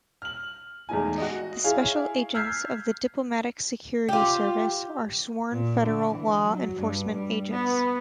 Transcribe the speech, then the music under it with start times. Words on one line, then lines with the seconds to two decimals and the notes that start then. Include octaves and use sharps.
The special agents of the Diplomatic Security Service are sworn federal law enforcement agents.
0.22 F6 F#7
0.89 E2 G#3 A3 D#4 E4 G#5
1.18 F#4 D#5
1.64 E4 G#4 C#5 F5
2.34 E6 F6 G6 G#6 B6 C7
4.09 F4 G4
5.51 A#2
5.82 D3
6.11 E3
6.43 F#3
6.78 G2
7.12 G3
7.50 B3